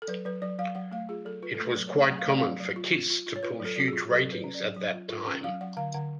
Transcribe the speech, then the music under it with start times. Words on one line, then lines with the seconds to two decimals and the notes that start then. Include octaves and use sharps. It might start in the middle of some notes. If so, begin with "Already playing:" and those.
It was quite common for "Kiss" to pull huge ratings at that time.
0.02 A4
0.08 F#3 B4
0.25 F#3 B4
0.42 F#3 D5
0.59 F#3 F5
0.75 F#3 F#5
0.92 A3 F5
1.09 F4 G#4
1.25 F#3 A4
1.42 F4 B4
1.54 A4
1.60 A3
1.65 B4
1.76 F#3
1.87 A3 C#5
2.09 F#3 F#5
2.19 F5
2.26 A3 D5
2.37 F5
2.42 F#3
2.60 F#3
2.76 F4
2.93 F4
3.10 F4
3.27 F4
3.36 C#5
3.43 F4 B4
3.60 F#3
3.65 A4
3.76 F#3 F#4
3.88 F4 G#4
4.10 F#3 A4
4.27 F#3
4.32 B4
4.44 C#4
4.54 D5
4.60 F#3
4.76 F#3
4.94 F4
5.10 F4
5.27 C#4
5.44 F#3 F5
5.61 F#3 F#5
5.77 D3 F5
5.94 D3 F#5